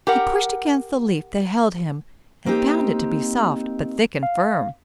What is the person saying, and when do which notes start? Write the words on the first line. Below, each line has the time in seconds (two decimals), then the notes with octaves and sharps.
He pushed against the leaf that held him and found it to be soft, but thick and firm.
0.07 G4 A#4 F#5
2.46 A#3 C4 D#4 G4
4.23 F5